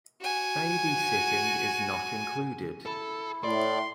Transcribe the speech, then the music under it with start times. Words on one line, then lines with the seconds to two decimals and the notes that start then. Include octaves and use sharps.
Babysitting is not included.
0.21 F#4 G#5
2.86 E4 A4
3.44 A2 D5 C6